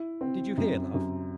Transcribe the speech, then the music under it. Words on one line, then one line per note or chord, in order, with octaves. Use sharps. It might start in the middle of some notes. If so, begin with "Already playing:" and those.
Did you hear, love?
Already playing: E4
C4
F#2
F#2